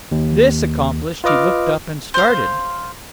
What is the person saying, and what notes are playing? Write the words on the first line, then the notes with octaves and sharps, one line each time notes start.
This accomplished, he looked up and started.
D#2
F4 B4 D#5 D6 F6
C5 F5